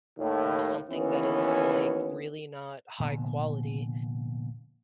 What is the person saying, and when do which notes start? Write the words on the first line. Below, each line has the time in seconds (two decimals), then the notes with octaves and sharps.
something that is, like, really not high quality.
0.18 D#2 A2
0.89 D#2 E3 B3 C#4
3.00 F1 A#2 D3 B3